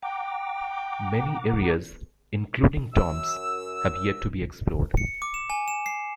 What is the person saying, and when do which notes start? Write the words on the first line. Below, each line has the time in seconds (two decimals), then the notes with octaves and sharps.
Many areas, including tombs, have yet to be explored.
0.03 F#5 G5 A#5 D6
2.94 F#2 E6
4.97 C#7
5.22 D6
5.34 E7
5.50 G#5
5.68 E7
5.86 C7